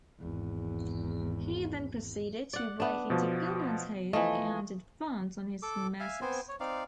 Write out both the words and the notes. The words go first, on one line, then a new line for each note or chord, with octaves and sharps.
He then proceeded to break into Pillman's home and advance on his nemesis.
G#1 E2
D5 F#5
B3 D4
B2 F3
E3 F3 A3 D#5
A4 D6
E5 F5 G#5
B3 C4 C5 G#5
C#5
C4 D#4 D5 F5